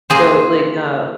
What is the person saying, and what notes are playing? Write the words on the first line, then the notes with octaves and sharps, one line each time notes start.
So, like, uh,
A#3 G#4 C5